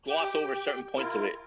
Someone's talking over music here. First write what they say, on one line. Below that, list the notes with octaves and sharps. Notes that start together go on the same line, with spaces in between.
gloss over certain points of it,
G4 G5
E4 F4 A#4